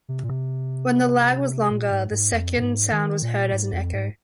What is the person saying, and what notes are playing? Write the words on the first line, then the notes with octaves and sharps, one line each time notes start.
When the lag was longer, the second sound was heard as an echo.
C3
A#2
C3
A#2
G#2
G#2
F2
A#2
G#2
D#3
A#2
G#2
F2
G#2